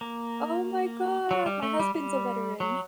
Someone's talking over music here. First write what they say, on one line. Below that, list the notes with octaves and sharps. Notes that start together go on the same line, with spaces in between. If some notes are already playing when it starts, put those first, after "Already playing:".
Oh my god! My husband's a veteran.
A#3
F#3
G3
A3
G3
G3
F#3